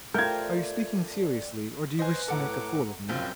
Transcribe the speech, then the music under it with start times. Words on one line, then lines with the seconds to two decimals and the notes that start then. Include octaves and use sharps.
Are you speaking seriously, or do you wish to make a fool of me?'
0.14 F3 A3 C4 D4 F4 A#4 G6 G#6
1.99 B4 C5 D#5 G#5
2.28 A2 A4 F#5 A#5 D6
3.08 F1 A#1 F#2 F3 C4 F5 G6